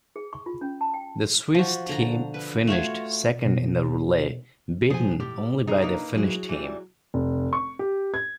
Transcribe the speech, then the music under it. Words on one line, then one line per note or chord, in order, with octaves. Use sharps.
The Swiss team finished second in the relay, beaten only by the Finnish team.
G#4
C#6
F4
C#4
A5
G5
F3 F#4
D3 A#5
B4
A3 F4 F#4 C#5
B2
F3 G#4 G#5
A2 G4
D4 D#4 G#4 A#4
A#3 D#4 B4
F#3 E4 G#4
E3 G3
F1
C#6
G4
G#6